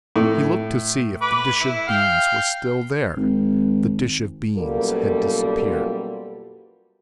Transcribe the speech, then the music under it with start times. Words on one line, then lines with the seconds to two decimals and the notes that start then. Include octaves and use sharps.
He looked to see if the dish of beans was still there; the dish of beans had disappeared.
0.16 A2
1.21 B4 D6
1.61 E4
1.87 F5 G5
3.17 G#1
4.57 F#2 B2 G3 A#3 F4 A4